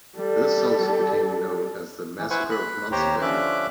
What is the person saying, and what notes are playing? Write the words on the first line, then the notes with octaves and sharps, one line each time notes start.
This also became known as the Massacre of Monzievaird.
G3 A4
E3
E4 B4 C5 F#5 G#5 C#6
B5 F#6
D#2 G4 C5 C#5 G5 A#5
D3 F3 C#4 E5 D6 F#6